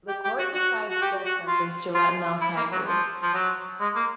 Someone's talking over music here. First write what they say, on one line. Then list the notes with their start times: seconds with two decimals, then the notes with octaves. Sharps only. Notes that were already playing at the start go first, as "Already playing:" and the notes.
The court decides death sentence to Ratanlal Tiger.
0.09 G4
0.24 G4
0.39 F#4
0.55 F#4
0.90 F#4
1.02 G4
1.26 F#4
1.48 F4
1.95 F4
2.41 E4
2.56 A#3
2.72 F#3
2.87 F3
3.23 F3
3.34 F#3
3.81 G#3
3.95 A#3